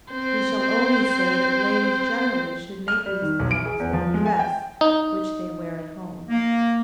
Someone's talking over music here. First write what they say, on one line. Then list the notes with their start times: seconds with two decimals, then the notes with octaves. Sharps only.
We shall only say that ladies generally should make these calls in the dress which they wear at home.
0.12 C4 C5
2.88 F6
3.06 G3
3.22 D#3
3.39 B1
3.51 D7
3.65 G#4
3.80 E2
3.93 F3
4.14 G#3
4.26 G#5
4.39 G5
4.81 D#4
6.29 A#3